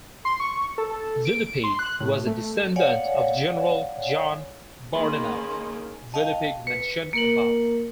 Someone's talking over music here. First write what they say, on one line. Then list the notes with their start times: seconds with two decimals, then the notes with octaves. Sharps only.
Villepigue was a descendant of General John Bordenave Villepigue mentioned above.
0.25 C6
0.40 C#6
0.78 A4
1.25 D7
1.64 C6
1.79 F#6
2.00 A2
2.26 A3
2.76 C#5 D5 F5 F#5 G#5
4.94 D#3 A#3 C#4 G#4 B5 C6
6.14 D#5 F5 G5 A5
6.67 B4 C#7
7.13 A#3 A#4 C#7 F#7